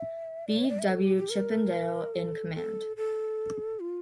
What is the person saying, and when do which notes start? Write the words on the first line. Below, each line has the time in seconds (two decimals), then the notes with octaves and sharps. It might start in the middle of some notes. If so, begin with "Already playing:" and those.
B. W. Chippendale in command.
Already playing: E5
0.48 D5
0.58 C#5
0.64 E5
0.69 D5
0.79 E5
0.89 A4
1.03 G4
1.17 G4
1.31 A#4
2.14 A4
2.55 A4
2.97 A4
3.80 F4